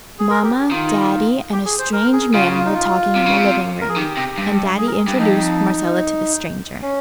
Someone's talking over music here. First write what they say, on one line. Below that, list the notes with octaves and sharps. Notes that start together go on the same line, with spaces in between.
Mama, Daddy and a strange man were talking in the living room and Daddy introduced Marcella to the stranger.
G#4
A#4
G4
G4
D#3 F4
G4
G#4
C5
A#4
G#4
C#3 F4
F4
D#4
F4
C3
C#3
C3
A#4
G#4
D#3 G4
C3
G2
G#4
A#4
G#4
G2 G4
F2 D#4
C#4